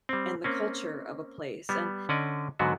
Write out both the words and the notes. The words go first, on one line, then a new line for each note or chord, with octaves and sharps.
and the culture of a place." And,
G3 C4
A#3 C4 C#4
G3 B3
D3 C#4 D5 D#5
G#2 D3 F#3 B3 F#4